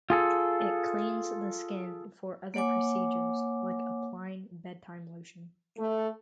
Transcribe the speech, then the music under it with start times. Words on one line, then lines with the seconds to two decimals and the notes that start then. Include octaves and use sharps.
It cleans the skin before other procedures, like applying bedtime lotion.
0.10 F4 G#4 A4
2.54 A#3 C#5 F#5 G#5 D6
5.77 A3